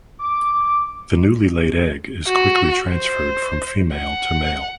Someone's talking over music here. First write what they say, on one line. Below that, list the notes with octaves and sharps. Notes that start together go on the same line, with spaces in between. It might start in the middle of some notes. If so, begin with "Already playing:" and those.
The newly laid egg is quickly transferred from female to male.
D6
F#4
C5
F#5